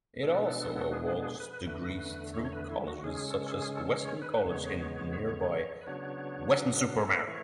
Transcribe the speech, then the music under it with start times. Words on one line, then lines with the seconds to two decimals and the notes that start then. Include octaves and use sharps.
It also awards degrees through colleges such as Weston College in nearby Weston-super-Mare.
0.23 B2 G#3 B3 D4 A4
0.69 E4
0.81 F#4
0.93 G#4
1.17 G#4
1.40 B4
1.64 E2 D3 A3
2.34 C#5
2.45 C#5
2.52 B4
2.70 E4
2.88 F#4
3.04 C#3 G#3 C#4 G#4
3.28 A4
3.47 A4
3.52 G#4
3.75 A4
3.99 C#5
4.22 B4
4.45 E2 C#3 G#3 B3 C#5
5.81 B4
5.87 C#3 F#3 B3 D4 C#5
7.04 A4
7.27 E3 A3 C#5